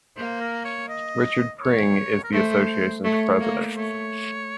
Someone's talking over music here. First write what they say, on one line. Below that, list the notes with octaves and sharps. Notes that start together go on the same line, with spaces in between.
Richard Pring is the association's president.
A#3 C5
A#4
C#5
D#5
C#5
A#4
A3 C5
A3 C#5
A#3
A3 C#5